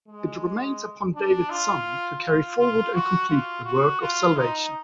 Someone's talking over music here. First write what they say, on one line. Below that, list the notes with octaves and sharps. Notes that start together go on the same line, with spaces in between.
It remains upon David's son to carry forward and complete the work of salvation.
G#3
D4
F4
F4
F4
F#4
F4
F#4
F4
D#4